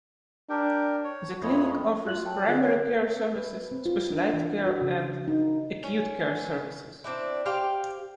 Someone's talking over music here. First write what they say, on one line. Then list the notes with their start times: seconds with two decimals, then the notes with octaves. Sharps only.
The clinic offers primary care services, specialized care, and acute care services.
0.50 D4 G4 A#4 G5
1.04 C#5
1.42 F2 E4 C#5 D#5
2.04 F4 F#4 F#6 F#7
2.26 F#3 G5 A5
2.47 D3 F4 G#4 G#5 F#6
2.60 C#5
3.36 B4
3.72 C4
3.86 F4
4.11 D4
4.33 E3
4.67 F#4
4.82 C#3
5.28 D#4
5.83 C#4
7.04 C4 D4 E4
7.46 G4 C5 F5 G5